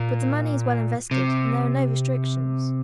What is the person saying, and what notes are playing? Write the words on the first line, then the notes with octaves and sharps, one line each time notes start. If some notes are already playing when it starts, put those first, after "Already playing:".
But the money is well invested and there are no restrictions.
Already playing: A#2
C3